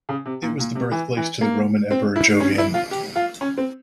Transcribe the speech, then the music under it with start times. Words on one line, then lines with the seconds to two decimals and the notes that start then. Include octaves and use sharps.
It was the birthplace to the Roman Emperor Jovian.
0.09 C#3
0.25 C3
0.43 A#2
0.59 A#2
0.75 C3
0.91 E3
1.17 E3
1.41 A#3
1.91 C4
2.16 E4
2.40 C#4
2.58 E4
2.74 F4
2.91 G4
3.16 F4
3.41 C#4
3.58 C4